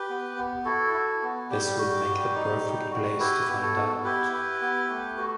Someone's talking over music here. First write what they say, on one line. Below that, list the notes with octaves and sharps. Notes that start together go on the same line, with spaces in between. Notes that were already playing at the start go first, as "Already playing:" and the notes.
This would make the perfect place to find out.
Already playing: G4 B4
B3
B3
E4 F#4 A4
E4
B3
G3 G4
F#4
G3
D#4
G3
F#4
E4 G4 B4
B3
F#4 A4
B3
E4 G4 B4
E4
B3
A3
F#4